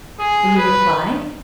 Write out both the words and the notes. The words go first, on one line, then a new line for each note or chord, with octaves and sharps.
"And you reply?"
G#4
B4